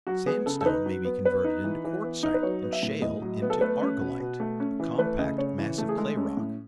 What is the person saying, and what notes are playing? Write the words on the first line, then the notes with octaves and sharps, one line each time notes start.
Sandstone may be converted into quartzite, and shale into ARGILLITE, a compact, massive clay rock.
F#3 F#4
B3 G#4
C#3 A4
A4
D#4 B4
F#3
B3
B3 B4
D#4
E3
E3
B3
D#4
B4
F#3 C#5
B3
E5
A2
A2 D#5
F#3
B3
A4
A3 B4
C#4
B2
B2
A3
C#4
E3
A3 B4
C#3 D#5
C#3 C#5
E3
A3
G#4
G#3 A4
C#4
A2